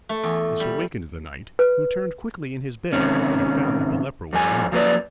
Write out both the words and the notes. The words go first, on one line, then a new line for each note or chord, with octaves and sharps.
This awakened the knight, who turned quickly in his bed and found that the leper was gone.
A3
E2
G3
B4
G#2 C3 D#3 C#4
F2 G3 G#5
F3 F#3 A#3 G4 B4 D5